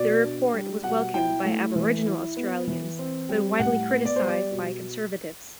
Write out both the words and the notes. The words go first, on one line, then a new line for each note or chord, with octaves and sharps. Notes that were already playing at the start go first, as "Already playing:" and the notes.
The report was welcomed by Aboriginal Australians but widely criticised by conservatives.
Already playing: B2 D5
D4
G3
B2 F#5
E4 G5
A3
E3
E4
B3
E3
C4
G3
A2 F#5
B3
D5
G3 C5
D5
B2